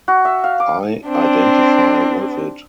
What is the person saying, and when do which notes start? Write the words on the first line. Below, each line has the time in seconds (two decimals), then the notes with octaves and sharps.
I identify with it.
0.08 F#4
0.25 E5
0.44 F5
0.60 D6
1.07 C4 D4